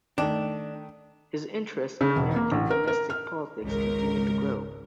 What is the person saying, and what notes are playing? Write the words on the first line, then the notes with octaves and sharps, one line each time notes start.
His interest in American domestic politics continued to grow.
D#3 A3 D4
C#3
E1
A#3
A1
A#4
A#4
F6
G#1 C#2 A#4